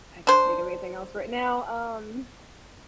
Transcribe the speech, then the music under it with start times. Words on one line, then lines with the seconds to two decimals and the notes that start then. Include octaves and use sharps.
I can't think of anything else right now. Um,
0.27 D4 C5